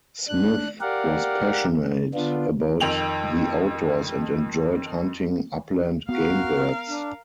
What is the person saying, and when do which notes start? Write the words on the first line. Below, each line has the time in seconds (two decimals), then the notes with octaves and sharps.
Smith was passionate about the outdoors and enjoyed hunting upland game birds.
0.28 D4 F#6
0.81 G4 A#4 D5 F5 F#5
2.14 D3 B3 D4 F4
2.80 F2 D#3 G5 F7 F#7
6.09 B3 F#4 A#4 F5
6.88 D4